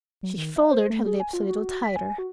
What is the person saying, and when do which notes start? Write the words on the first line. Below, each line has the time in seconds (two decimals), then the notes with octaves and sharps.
She folded her lips a little tighter.
0.23 F#3
0.37 D#3
0.56 E5
0.71 C5
0.90 A3
1.06 G#4
1.20 G#5
1.33 F4
1.49 F#4
1.83 B6
1.96 G#5
2.18 F#4